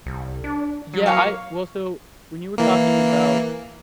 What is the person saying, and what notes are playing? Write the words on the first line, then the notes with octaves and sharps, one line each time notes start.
Yeah, I well, so, when you were talking about
C2
D4
F#3
A#3 C#5 F5
E3 A#3